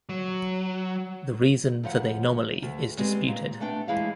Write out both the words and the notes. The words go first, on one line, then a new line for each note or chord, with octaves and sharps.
The reason for the anomaly is disputed.
F#3
D2 F3 D#5 F#5
D2
G3 G#3 B3 C4
A#2
A3 B3 D4 G5
E3 G#3 E4 G#4 F5